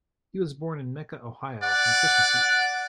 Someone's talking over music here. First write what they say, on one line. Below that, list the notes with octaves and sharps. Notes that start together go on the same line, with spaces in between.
He was born in Mecca, Ohio, on Christmas Eve.
D5 F#5